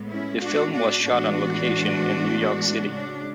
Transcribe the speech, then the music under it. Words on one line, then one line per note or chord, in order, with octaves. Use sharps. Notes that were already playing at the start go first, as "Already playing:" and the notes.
The film was shot on location in New York City.
Already playing: A2 G#3 B3
C#4 E4
D4 F#4
D4 F#4
A2 E3 G#3 B3 D4 F#4
C#3 G#3 C#4 D4